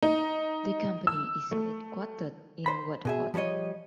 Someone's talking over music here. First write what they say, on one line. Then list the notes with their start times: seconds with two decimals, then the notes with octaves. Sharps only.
The company is headquartered in Watford.
0.02 D#4
1.07 E6
1.51 A3
2.66 C5 B5
3.05 B2 G#4 E5
3.34 F3 G3 C5 C#5 D#5